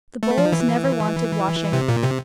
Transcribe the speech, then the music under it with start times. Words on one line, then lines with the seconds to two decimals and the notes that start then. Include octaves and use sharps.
The bowls never wanted washing.
0.23 A3
0.38 F3
0.52 E3
1.73 C3
1.88 A#2
2.03 C3